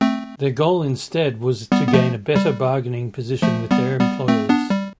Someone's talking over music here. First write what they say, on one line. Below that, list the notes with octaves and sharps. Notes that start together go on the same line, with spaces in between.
Their goal was instead to gain a better bargaining position with their employers.
A3 C4
G3 B3
B3
F3 A3
G3
F3 A3
G3 B3
G3 B3
A3 C4
B3 D4
G3